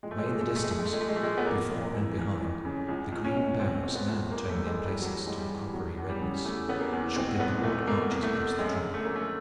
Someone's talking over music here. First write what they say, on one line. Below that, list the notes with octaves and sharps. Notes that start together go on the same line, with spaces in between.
Away in the distance before and behind, the green boughs, now turning in places to a coppery redness, shot their broad arches across the track.
A#2 G#3
A3
G#3
A#2 A3
G#3
A3
A#2 G#3
A3
G#3
A3
A#2 G#3
A3
G#3
A#2 A3
G#3
A3
A#2 G#3
B3
F2 A#3
F2
E3
E3
F2
C#3
C#2
C#2
C#4
B2
C#2 C4
B2 C4
B3
C#2
G2 A#3
A3
G2
G#3
E3
G3
E3 F#3
G2 G#3
G3
E3
E2 F#3
E2
G3
C#3
E2 A3
C#3 B3
A#3
E2
B2 C4
C2 B3
B2 A3
B2 A#3
C2
A3
B2
F#2 G#3
D3
A3
F#2 A#3
A3